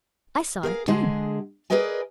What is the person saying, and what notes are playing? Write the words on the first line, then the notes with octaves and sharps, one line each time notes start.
"I saw it done."
G#4 A#4 E5 F5
D3 G#3 G#4
G#4 A#4 B4 D5 D#5 G#5